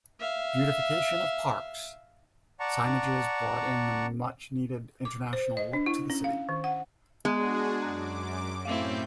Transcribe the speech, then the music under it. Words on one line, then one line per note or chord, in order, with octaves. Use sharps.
Beautification of parks, signages brought in the much needed international look to the city.
E5 F5
D5 F#5 A5 A#5 C#6
D6
C5
D#5
D4
E4
C#4
F5
D#3
F#5
G#3 B3 D4 F#4 G#4 F#6 D#7
F#2 A#5 D6 F#6
A2 A3 C4 C#4 E4 F5 G6